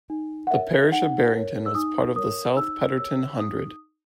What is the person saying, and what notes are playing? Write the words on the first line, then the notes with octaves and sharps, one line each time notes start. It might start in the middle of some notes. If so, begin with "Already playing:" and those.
The parish of Barrington was part of the South Petherton Hundred.
D#4
F#5
A#4 C#5 E5
D#4 F#5
A#4 C#5
E6
D#4 D#6
A#4 C#5 D#6
D#4 E6
A#4 C#5 E6
D#4 D#6